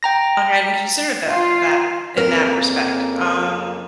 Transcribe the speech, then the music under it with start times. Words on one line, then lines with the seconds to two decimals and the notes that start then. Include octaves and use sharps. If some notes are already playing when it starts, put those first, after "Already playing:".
I hadn't considered that that in that respect. Um
0.03 G5 A#5 A#6
1.27 F4
2.17 F2 C#3 A#3 C4 A#4 B4